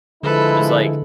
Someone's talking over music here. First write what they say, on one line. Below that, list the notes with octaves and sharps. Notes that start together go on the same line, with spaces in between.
it was, like
D3 F3 G#3 E4 A4 B4